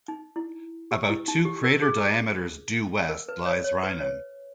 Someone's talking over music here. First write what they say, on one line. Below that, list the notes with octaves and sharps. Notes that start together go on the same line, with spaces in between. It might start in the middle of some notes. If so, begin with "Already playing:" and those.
About two crater diameters due west lies Rynin.
D#4
E4
G4
E4
D#4
G4
A#4
G#4
A#4
B4
C#5
C#5
B4
C#5